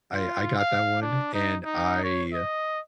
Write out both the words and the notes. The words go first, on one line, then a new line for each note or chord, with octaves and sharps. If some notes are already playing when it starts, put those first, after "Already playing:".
I I got that one and I
F4
F5
D4
D#4
D#4
C#5
D#5